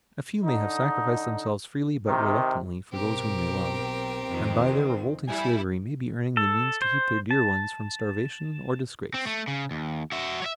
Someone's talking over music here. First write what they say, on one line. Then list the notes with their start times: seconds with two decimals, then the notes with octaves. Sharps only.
A few may have sacrificed themselves freely but reluctantly for those whom they love, and by their revolting slavery may be earning the means to keep their dear ones from starvation or disgrace.
0.45 D3 D#4
2.06 C3 D#3
2.92 B1 C4 G4 A#4
4.28 F2 D#3
5.28 G3 E4 G#5
6.37 A4
6.82 C5
7.31 A5
9.14 C4
9.27 A3
9.48 C#3
9.71 D#2
10.12 F#4 E5
10.42 C#5 E5